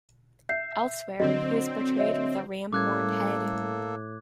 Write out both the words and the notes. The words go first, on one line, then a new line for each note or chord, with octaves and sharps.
Elsewhere he was portrayed with a ram-horned head.
E5 G6 C7
D3 F#3 C4 D#5
C#5 D#5 E5
A2 G3 A#3 C#4 A4 D6 F#6 G#6